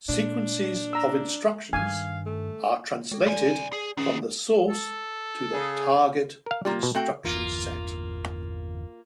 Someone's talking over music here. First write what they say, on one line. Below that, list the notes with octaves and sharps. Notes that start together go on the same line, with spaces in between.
Sequences of instructions are translated from the "source" to the "target" instruction set.
A#2 D4
A#5 E6
G2 D#3 F5 G#5
A3
G#3 A4
C2 D5 G#5
G#4
D#3 C#4 G#4
A4
C#3 G#4
A#4 F5
G3 A#3 F4 G4
B2
A3 C4 F#4 G5
G1 E2 E3 A#3 F4